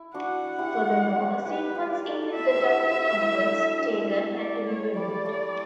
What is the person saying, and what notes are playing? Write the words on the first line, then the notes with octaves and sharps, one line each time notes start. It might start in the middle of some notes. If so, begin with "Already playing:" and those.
Furthermore, a sequence in which the Doctor comforts Tegan had to be removed.
Already playing: E4
D4 F#4 F#5
E4 G4
E4 G4 B4
E4 G4
D5
F#4 A4
A4
E4 G4 E5
G4
D4 F#4
E4 G4
G4
D4 F#4
D4
C#4
D5
A3
C#5
G3 D5
A3